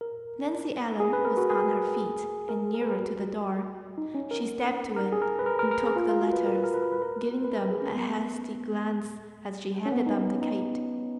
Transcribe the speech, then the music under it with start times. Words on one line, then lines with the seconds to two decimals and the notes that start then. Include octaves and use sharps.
Nancy Ellen was on her feet and nearer to the door; she stepped to it, and took the letters, giving them a hasty glance as she handed them to Kate.
0.01 A#4
1.00 G#4
1.13 B4
1.25 A#4
1.37 F#4
1.50 G#4
2.49 A#4
2.74 A#4
2.81 B4
2.89 A#4
2.98 F#4
3.98 D#4
4.15 C#4
4.31 A#4
4.96 A#4
5.12 G#4
5.22 A#4
5.39 B4
5.46 A#4
5.59 A#4
5.71 A#4
5.84 G#4
5.96 F4
6.09 F4
6.21 F#4
6.33 B4
6.46 A#4
6.55 B4
6.64 A#4
6.74 B4
6.83 A#4
6.92 B4
7.02 A#4
7.45 B4
7.57 A#4
7.70 G#4
7.82 C#4
7.94 B3
9.86 C#4
9.92 B3
10.07 D#4
10.18 C#4
10.42 D#4